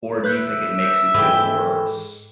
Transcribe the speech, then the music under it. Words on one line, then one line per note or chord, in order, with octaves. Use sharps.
or do you think it makes you feel worse?
B4 E5 F#6 G6
G#2 E3 A4 G5